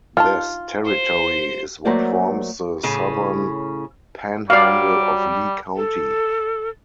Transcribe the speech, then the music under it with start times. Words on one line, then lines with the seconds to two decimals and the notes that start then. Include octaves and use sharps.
This territory is what forms the southern "panhandle" of Lee County.
0.17 D#4 F4 G5 A5
0.85 C5
1.85 F#3 A3 A#3 F#4 C5 D5
2.83 A2 C#3 C#4
4.50 F#3 G3 D5 F5 D6
5.76 A4